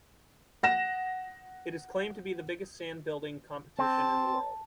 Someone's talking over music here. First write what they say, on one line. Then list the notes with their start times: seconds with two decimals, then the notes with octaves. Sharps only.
It is claimed to be the biggest sand building competition in the world.
0.63 F#5 A#6 E7
3.79 C4 A5